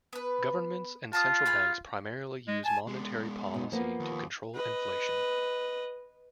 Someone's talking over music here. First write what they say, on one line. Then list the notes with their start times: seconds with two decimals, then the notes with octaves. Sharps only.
Governments and central banks primarily use monetary policy to control inflation.
0.13 B3 B4
1.13 F4 A5 A#5 D#6
1.46 G#4 F5 B5
2.48 G#3
2.65 G#5 A5
2.87 G#3 B3
3.54 B2 D#4
3.72 F3 A#3 B3
4.00 D#2
4.55 B4 D#5